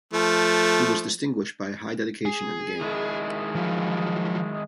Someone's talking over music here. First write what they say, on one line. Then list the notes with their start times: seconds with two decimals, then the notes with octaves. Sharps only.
He was distinguished by high dedication in the game.
0.13 F3 A3
2.25 G#4
2.81 D#3 G#3 E4
3.56 F3 F#3